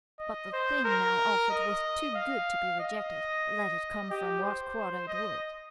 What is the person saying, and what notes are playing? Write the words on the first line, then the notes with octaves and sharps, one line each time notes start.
But the thing now offered was too good to be rejected, let it come from what quarter it would.
D#5
C5
A#4
D#5
F5
D#5
G4
C5
D#5